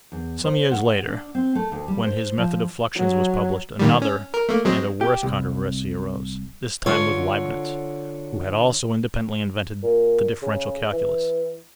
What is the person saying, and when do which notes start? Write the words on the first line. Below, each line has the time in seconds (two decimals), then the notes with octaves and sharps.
Some years later, when his method of fluxions was published, another and a worse controversy arose--this time with Leibnitz, who had also independently invented the differential calculus.
0.12 E2
0.44 C5
0.72 F#5
1.07 D4
1.35 C4
1.55 A3
1.72 D2
1.88 G3
2.04 C5
2.38 F3
2.95 F#3
3.79 A#2 D#3 G3
4.02 C#4
4.34 A#4
4.49 A3 A#3
4.65 F#3 G#3 C4
5.01 G4
5.23 C2
6.86 D3 F4 C#5
9.83 A#2
10.42 C#3
10.93 E3